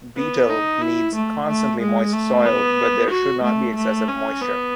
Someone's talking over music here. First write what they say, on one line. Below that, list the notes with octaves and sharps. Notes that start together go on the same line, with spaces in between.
Betel needs constantly moist soil, but there should not be excessive moisture.
B3
D#4
E4
A3
A3
G#3
A3
B3
F#4
A3
A3
C#4
B3